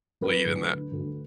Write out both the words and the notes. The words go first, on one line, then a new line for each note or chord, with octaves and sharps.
lead in that
F#3 B4
D2
D3
D2